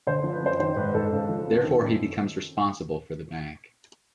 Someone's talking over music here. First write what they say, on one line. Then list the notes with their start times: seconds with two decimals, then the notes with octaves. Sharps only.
Therefore, he becomes responsible for the bank.
0.07 D3 C5
0.24 F3
0.33 B4
0.42 F#2 C5
0.59 D#3 C5
0.76 G#2 B4
0.94 G#2 A4
1.12 C#3
1.29 F3
1.46 F2
1.63 D#3
1.81 F#2